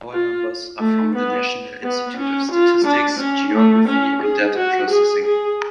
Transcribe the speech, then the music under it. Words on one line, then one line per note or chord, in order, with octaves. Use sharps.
All numbers are from the National Institute of Statistics, Geography, and Data Processing.
F4
A3
B3
B3
C#4
F4
D4
C#4
A3
C#4
G#4
F#4
G#4
G#4